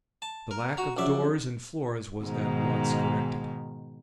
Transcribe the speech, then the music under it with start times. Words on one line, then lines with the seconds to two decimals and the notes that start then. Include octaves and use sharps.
The lack of doors and floors was at once corrected.
0.22 A5
0.51 A#4
0.77 F#4 A#5
0.97 A#1 F#2 D5 E5
2.24 G#2 B2 D#3